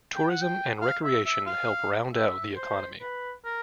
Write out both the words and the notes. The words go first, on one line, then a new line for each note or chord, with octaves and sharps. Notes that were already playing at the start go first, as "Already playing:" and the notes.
Tourism and recreation help round out the economy.
G5
F#5
G5
F5
E5
E5
F5
E5
C5
B4
A#4